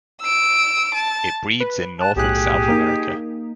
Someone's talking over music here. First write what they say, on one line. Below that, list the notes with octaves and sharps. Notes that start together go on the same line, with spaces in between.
It breeds in North and South America.
E6 D7
A5
B4
A5 F#6
B1 A2 G4 G#4 F#6
A#3 D#4